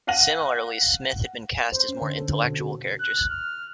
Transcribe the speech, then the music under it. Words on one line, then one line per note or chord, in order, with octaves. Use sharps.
Similarly, Smith had been cast as more intellectual characters.
F5 F#5 A#6 D#7 F#7
C5
C#4
D3
A4
D3
B2
F#4
F#6
F6